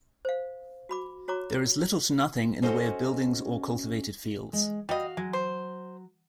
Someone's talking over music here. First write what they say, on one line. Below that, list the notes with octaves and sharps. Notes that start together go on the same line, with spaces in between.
There is little to nothing in the way of buildings or cultivated fields.
C5 F5
F#4 B5 D6
F#4 C#5 A#5 D6
C#4 F#4 A4 C5 D#5 G#5
G#3
G3 F#4 D#5 F5
F#3 G#3
C5